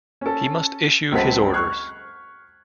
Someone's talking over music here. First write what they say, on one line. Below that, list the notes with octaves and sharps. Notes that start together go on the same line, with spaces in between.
He must issue his orders.
C#4 A4
C#2 F#3 C4 A4 F#5 B6
C#6 F6 F#6 G#6 C7